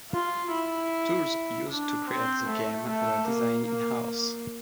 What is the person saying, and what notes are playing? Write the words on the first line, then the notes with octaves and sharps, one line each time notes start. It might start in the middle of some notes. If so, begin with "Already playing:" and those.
Tools used to create the game were designed in-house.
F4
E4
D4
C4
A3
A3
A#3
A#3
A#3